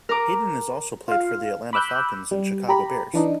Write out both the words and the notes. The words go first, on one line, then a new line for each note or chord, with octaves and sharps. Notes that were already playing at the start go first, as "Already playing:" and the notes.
Hayden has also played for the Atlanta Falcons and Chicago Bears.
A#4 A#5 D6
F4 F5
B5 D6 E6 F#6 G6
G3
G4 A#5 B5
E3 D4 D#4